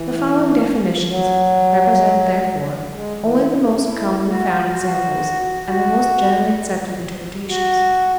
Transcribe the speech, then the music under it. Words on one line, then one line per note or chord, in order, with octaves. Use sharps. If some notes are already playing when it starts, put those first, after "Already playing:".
The following definitions represent therefore only the most commonly found examples and the most generally accepted interpretations.
Already playing: E3
F#3
G#3
E3
C#3
E4
F#4
F#4
F#4
F#4